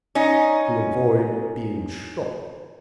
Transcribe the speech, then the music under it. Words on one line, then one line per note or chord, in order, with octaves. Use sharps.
"To avoid being shot."
C#4 D#4